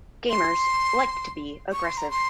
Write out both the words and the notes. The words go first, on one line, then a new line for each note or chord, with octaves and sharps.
Gamers like to be aggressive.
C6
C#6
C6
A#5
C6